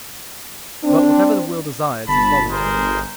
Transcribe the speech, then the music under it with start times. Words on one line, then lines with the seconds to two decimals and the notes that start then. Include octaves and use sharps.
But whatever the will desires is voluntary.
0.85 C4 D4
2.08 G1 A5 B5
2.50 G#4 A#4 C5